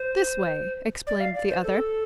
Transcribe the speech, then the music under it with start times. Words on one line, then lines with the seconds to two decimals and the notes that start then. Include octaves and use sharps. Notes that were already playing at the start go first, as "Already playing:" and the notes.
"This way," explained the other.
Already playing: C5
1.07 D5
1.20 F5
1.35 D5
1.49 C5
1.64 A4